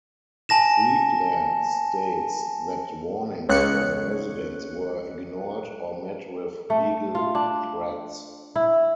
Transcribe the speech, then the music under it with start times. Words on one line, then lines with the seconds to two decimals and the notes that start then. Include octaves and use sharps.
Freedland states that warnings from residents were ignored or met with legal threats.
0.49 G#5 A5 A#6 E7
3.49 C#2 C#5 F#6 C#7
6.70 A3
7.15 F4
7.35 D4
8.56 E4